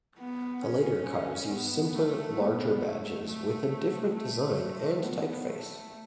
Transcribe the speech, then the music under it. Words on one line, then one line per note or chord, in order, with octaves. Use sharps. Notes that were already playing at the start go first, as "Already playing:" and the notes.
The later cars use simpler, larger badges with a different design and typeface.
B3
C#4
B3
A3
B3
A3
A3
A3
B3
A3